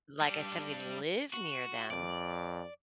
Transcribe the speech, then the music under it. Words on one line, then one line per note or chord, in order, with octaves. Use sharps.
like I said, we live near them.
G3 D4
F#4
F2 D5